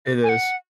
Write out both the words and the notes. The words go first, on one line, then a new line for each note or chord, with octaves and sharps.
It is.
G#5
F#5